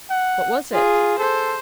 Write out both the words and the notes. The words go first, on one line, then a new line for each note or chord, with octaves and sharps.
"What was it?"
F#5
F4 G#4
A4 C5